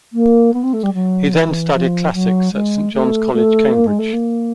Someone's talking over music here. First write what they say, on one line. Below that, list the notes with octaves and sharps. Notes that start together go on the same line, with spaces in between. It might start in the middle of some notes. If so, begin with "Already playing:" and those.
He then studied classics at Saint John's College, Cambridge.
A#3
B3
C4
A3
G3
F#3
E3
F3
F#3
G#3
A3
A3
A#3
G#3
A3
A#3